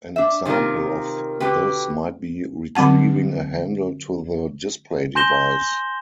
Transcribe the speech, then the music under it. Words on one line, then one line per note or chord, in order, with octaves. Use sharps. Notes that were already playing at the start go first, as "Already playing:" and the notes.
An example of this might be retrieving a handle to the display device.
D4 E5
C3 D#3 G#3 F4 A#4
B2 D3 E4 F4 G4 B4
D3 F#3 C4 F#5 A5
G#5 C6 G6 A#6 E7 G7